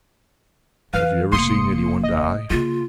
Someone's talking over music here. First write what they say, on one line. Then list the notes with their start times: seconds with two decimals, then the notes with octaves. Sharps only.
"Have you never seen any one die?"
0.94 E3 B4 F5
1.32 F1 A3 A#3 C6 D#6 C#7
2.04 D#5
2.50 C#3 A#3 F4